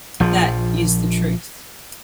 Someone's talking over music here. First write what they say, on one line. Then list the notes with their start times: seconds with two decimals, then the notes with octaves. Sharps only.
That is the truth.
0.20 A#1 F3